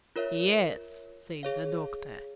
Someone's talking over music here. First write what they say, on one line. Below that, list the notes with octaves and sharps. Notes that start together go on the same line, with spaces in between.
"Yes," said the doctor.
F4 A#4 C#5 E5
G#4 C#5 F5